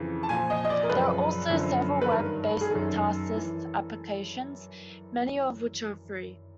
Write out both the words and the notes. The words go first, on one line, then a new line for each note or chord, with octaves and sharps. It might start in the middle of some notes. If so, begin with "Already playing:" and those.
There are also several web-based task list applications, many of which are free.
Already playing: F2 C#3 E3
A5
A#2 F3 G#5
D#5
D#5
D5
A#4
F#2 C#3 F3 B4
F#2 D3 F3
B4
G2 D#3 A#4
G#4
F#2 D#3 A4
E3